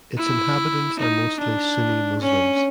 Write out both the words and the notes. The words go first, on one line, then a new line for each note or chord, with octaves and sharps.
Its inhabitants are mostly Sunni Muslims.
E4
D#4
D4
C#4